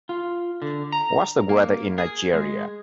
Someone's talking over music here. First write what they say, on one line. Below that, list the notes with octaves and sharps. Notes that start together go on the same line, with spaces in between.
What's the weather in Nigeria?
F4
D3
A#5
A#3
G#4
G#3